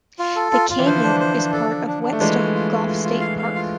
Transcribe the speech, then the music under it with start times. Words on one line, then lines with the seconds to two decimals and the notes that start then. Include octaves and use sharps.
The canyon is part of Whetstone Gulf State Park.
0.19 F4
0.36 A4
0.52 F4
0.70 F4
0.79 E3
0.86 D3 F3 C5
1.03 D4
1.20 C5
1.37 D4
1.53 A4
1.70 D4
1.87 D4
2.03 D4
2.12 A3
2.20 E3 G#3 F4
2.37 F4
2.54 F4
2.71 F4
2.88 F4
3.04 F4
3.21 F5
3.38 F5
3.55 F4